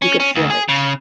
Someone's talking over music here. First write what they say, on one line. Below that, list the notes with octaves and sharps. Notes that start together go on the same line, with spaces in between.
you could feel it.
C#4
C#4
D2
G#4
C#3